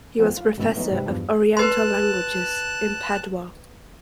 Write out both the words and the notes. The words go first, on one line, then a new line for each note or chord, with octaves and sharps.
He was professor of Oriental languages in Padua.
F3 B3 C4
F4
G#1 F#2 B2 A3 E4 A4
E3 F#3 A3 B3 D#4
G#2 C3 G3 C4 B4
E2 G2 F3 A5
B4 A5 C6 F#6